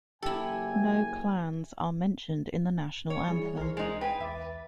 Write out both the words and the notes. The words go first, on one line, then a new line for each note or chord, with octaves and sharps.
No clans are mentioned in the national anthem.
F#1 E4 G4 A4 G#5
C#5
E3 G3 E4 G#4
C2 A#4 C5
G#3 D#4
B4 G5 G#5
E2 E5 D6 A6